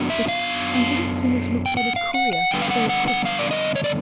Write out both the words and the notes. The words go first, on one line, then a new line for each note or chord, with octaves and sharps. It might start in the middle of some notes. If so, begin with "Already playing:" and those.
But I would as soon have looked at a courier or a cook.
Already playing: F#2 F#3 B3 D4
E5
F5
G5
F#5
F5
F#5
F#5
F2 D3 G3 B3 G5
F5
F#5
F#5
F#5
F5
D5
D#5
C#5
D5